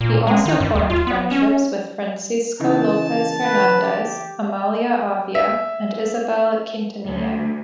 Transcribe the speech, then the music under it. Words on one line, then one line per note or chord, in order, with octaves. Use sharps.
He also formed friendships with Francisco Lopez Hernandez, Amalia Avia, and Isabel Quintanilla.
A#2
G#3
D#3
G2
D#2
F4
B3
C#4
C#3 E3 D#4 A5
B4
G4
E5
D2